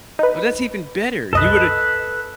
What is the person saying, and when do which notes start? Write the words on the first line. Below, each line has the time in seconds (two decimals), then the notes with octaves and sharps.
Oh, that's even better. You woulda
0.19 D#4 B4
1.33 C2 F#2 A4 B4 D#5